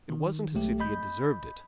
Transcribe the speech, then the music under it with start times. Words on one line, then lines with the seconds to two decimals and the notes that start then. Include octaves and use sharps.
It wasn't as if he had deserved it.
0.10 D#3
0.55 B1 G#3 A3 G4
0.80 D#5 B5 G6